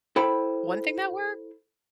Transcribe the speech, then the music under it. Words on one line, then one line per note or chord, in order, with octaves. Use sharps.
One thing that worked
E4 A4 C5 G5 B5